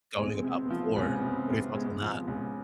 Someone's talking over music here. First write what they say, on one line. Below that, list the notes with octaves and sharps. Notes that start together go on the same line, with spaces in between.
going about before. What are your thoughts on that?
G#3 B3
C4
B3
C3 C4
B3
C4
B3
F3 C4
B3
C4
C#2 B3
C4
B3
C3 C4
B3
C4
B3
C3 C4
B3
C4
G#3 B3
C4
B3
F3 C4
B3
C#2